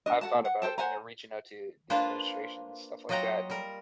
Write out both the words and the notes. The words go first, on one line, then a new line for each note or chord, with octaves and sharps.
I've thought about, you know, reaching out to the administration and stuff like that, and
D4 D#5
A4 F#5 A5
F#5
A4 C5 G5 A5
C5 F#5 G#5 A#5
A#3 D4 F4 B4 C5
F#3 F4 D#5 F#5 G5 A#5
G3 A#4